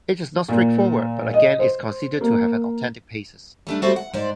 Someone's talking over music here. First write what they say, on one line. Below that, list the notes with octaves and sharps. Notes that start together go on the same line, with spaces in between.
It is not straightforward, but again is considered to have an authentic basis.
A#2
D#5
C5
A#3
G3 A3 D4
G3 A3 C4 F#4 A4 C5
F#5
G#2 C5 D5